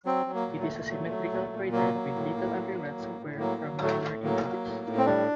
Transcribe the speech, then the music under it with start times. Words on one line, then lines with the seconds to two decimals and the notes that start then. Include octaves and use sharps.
It is a symmetrical crater with little appearance of wear from minor impacts.
0.05 F#3 C4
0.26 F#3
0.34 A#3
0.47 A#2
0.61 A3
0.68 A#2
0.90 F#3
1.10 F#3
1.32 A#2
1.52 A#2
1.72 F#3 A#3
1.94 F#3
2.15 A2
2.36 A2
2.56 F#3
2.77 F#3
2.98 A2
3.19 A2
3.39 F#3 A#3
3.61 F#3
3.81 A2 A3
4.02 A2
4.24 F#3 A#3
4.44 F#3
4.66 A2
4.86 A2
4.97 C4
5.06 G3 D4